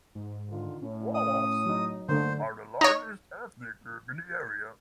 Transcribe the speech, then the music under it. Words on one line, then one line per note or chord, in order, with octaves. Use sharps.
Wolofs are the largest ethnic group in the area.
G#2
D3 D#3 F4
A2 C#4
C#4 D#6
F#3 D#4
D3 A3 A#3 C5
D#4 C#5